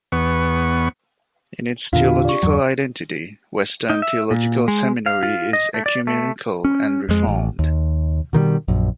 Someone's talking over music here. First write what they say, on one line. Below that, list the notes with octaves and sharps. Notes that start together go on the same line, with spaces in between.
In its theological identity, Western Theological Seminary is ecumenical and Reformed.
E2 B3 C#6
E2 A#2 D3 D4 F4 F5
G4
D5 C#6
E2 G2 F#3
D#4
E5
A#2
G#3
F5
F4
D#5
A3
D5
A3
C#4
F2 G#3
A1
D#2
B2 D#3 F3 G3
A#1 F#2